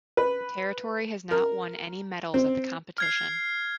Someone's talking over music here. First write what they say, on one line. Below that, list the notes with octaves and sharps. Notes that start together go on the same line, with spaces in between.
The territory has not won any medals at the competition.
B4
A#4
C4
F6 G#6 C7